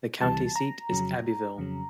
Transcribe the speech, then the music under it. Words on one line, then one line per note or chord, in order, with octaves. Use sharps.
The county seat is Abbeville.
C#2 C3 E3 G3 A5
A#5
F2 C#3 F#3
F2 C#3 F#3